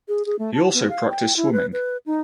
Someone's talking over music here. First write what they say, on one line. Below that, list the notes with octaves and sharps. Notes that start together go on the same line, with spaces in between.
He also practiced swimming.
G#4
G#4
A3
A5
B3
F5
G5
E4
B4
B4
D#4